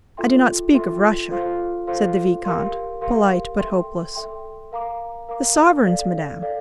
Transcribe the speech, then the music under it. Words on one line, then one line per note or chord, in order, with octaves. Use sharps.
I do not speak of Russia," said the vicomte, polite but hopeless: "The sovereigns, madame...
F4 A4 E5 G5 C6
F4 A4 E5 G5 C6
F4 A4 C5 F5 C6
F4 A4 C5 F5 C6
G4 A#4 F5 C6
G4 A#4 F5 C6
A4 E5 G5 C6
A4 E5 G5 C6
A#4 F5 A#5 D6
A#4 F5 A#5 D6
A4 D5 F5
A4 D5 F5